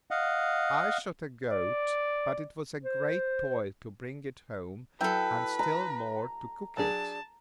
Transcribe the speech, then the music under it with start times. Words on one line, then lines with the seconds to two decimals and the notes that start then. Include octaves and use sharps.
I shot a goat, but it was a great toil to bring it home, and still more to cook it.
0.11 D#5 F5 F#5
1.49 D5
2.83 C5
5.01 F#3 E4 A4 B4 G5
5.59 A#5
6.77 F#3 D4 G#4 A5